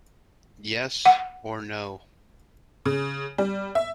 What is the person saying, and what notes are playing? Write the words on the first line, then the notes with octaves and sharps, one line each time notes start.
Yes or No?
F#5
C#3
G3
E5